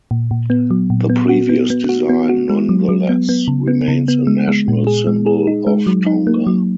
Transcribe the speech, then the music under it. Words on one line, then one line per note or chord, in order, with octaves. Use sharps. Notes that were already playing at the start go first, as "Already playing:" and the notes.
The previous design, nonetheless, remains a national symbol of Tonga.
A#2
A#2
B3
F#3
A#2
B3
F#4
B3
B3
F#4
B3
F#4
G#3
F#3
F#3
B3
B3
C#3
B3
C#3
B3
G#3
G#3
A#2
G#4
G#3
G#4
D#4
G#3
F#3
D#4
A#3
F#3